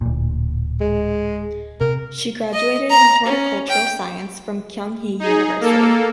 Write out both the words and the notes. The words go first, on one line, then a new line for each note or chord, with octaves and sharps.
She graduated in Horticultural Science from Kyung Hee University.
D1 A#2
G#3
C3 A#4
D#5
A#5
C#4
G5
D#4 G#4
A#3 A4